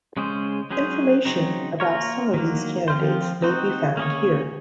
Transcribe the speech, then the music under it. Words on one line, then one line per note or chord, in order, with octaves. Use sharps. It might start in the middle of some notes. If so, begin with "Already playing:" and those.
Information about some of these candidates may be found here.
C#3 G#3 C#4 G#4 C5
F#3 C#4 G#4 C5
C#3 F#3 C4 D#4
A#3 F4 A#4 C#5
D#3 F#3 A#3
F3 C4 F4 C5
C4 D#4 F#4 C5
A#3 C#4 G#4 C#5